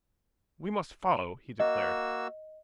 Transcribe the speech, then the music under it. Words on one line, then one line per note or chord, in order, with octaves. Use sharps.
"We must follow," he declared.
A#3 F#4 D#5 E6